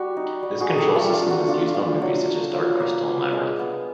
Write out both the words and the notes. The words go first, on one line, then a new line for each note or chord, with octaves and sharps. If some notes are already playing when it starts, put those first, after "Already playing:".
This control system was used on movies such as Dark Crystal and Labyrinth.
Already playing: G3 F#4
D#4
G3
F#4 G#4
D#4
G4 A4
A3 F4 G4
F4
D4
F#4
D4 F4
F4
F#3
F#3
F#3 F4
A#3
B3
G#3
B3